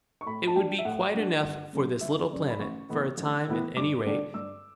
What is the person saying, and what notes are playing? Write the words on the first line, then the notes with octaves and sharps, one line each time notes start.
It would be quite enough for this little planet, for a time, at any rate.
C#6
A2 B5
A5
G3 D4 G5
E5
A2 F#5
G3 D4
G1
F#2 C#3 F#3
G1 E5
F#2 C#3 F#3 D5
B5
A1 C#6
A2 E3 B3 E4
A1
A2 E3 B3 E4
G2 D6
D3 G3 D4
G2 E6